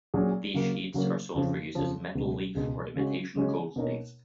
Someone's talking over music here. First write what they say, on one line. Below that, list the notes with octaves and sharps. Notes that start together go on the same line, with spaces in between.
These sheets are sold for use as metal leaf or imitation gold leaf.
A#2 F#3 C#4 G#4
C#3 F#3 A#3
C#3 F#3 A#3
F2 C#3 F3
F2 C#3 F3
C#2 B2 G#3
C#2 B2 G#3
C#3 G#3 C#4 F#4
C#3 G#3 C#4 F#4
B2 A#3 D#4 A#4 C#5